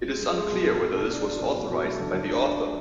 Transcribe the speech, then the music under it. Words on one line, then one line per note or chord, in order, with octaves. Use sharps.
It is unclear whether this was authorized by the author.
G#3
G#3
G#3
B2
B2
B2
B2
D4
D4
B2
B2
B2
A3
D3
D3
D4
D4
A3